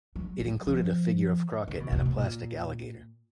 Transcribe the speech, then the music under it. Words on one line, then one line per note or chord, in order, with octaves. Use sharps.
It included a figure of Crockett and a plastic alligator.
F#3
F#3
F3
D#3
B2
B2
B2
A#2